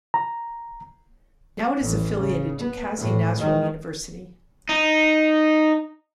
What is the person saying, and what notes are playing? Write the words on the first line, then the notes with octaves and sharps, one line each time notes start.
Now it is affiliated to Kazi Nazrul University.
A#5
A1 E3
C#3
B3
A2 E3
D#3 G#3
D#4